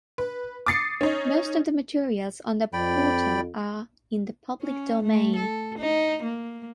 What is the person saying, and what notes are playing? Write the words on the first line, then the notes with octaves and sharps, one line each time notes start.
Most of the materials on the portal are in the public domain.
B4
D6 D#6 A6 C7 C#7
C#4 D#4
F2 D5 G5 B5
C#4
A3
A4
D#4
A#3